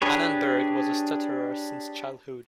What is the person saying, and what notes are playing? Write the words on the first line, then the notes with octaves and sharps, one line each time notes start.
Annenberg was a stutterer since childhood.
D4 G4 G#4 B4 C#5